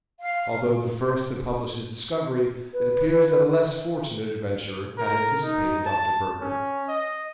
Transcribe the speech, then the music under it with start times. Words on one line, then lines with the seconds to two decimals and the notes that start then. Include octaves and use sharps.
Although the first to publish his discovery, it appears that a less fortunate adventurer had anticipated Dr. Burger.
0.21 F5
2.73 B4
4.98 A#4
5.43 D#4
5.86 A5
6.41 C#4
6.88 D#5